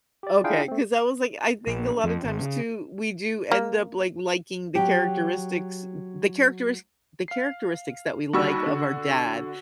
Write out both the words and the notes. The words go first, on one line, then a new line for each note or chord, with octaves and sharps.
Okay, 'cause I was like, I think a lot of times too, we do end up, like, liking the characteristics the characteris the characteristics that we like of our dad.
G4 D5
D4 E4 F4 G#4 F5 G5
A3 C4
A#1
F2
G#1
C#3
A#3
F#3 G4
F5 C7
D#2 G3 F#4 C#6 E6
D3